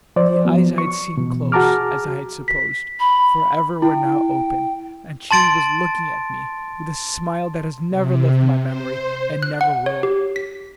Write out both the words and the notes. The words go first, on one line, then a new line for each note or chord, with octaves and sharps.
The eyes I had seen close, as I had supposed, forever, were now open, and she was looking at me with a smile that has never left my memory, and never will.
F3 C5 D5
F3 F#3 B3
C#6
B2 E3
F#4 G#4 A5 A#5 D6 F6
B6
B5
E4 G5
A5 C6 A6 D7
C3
C5
F#6
F#5
C#5
G4
B6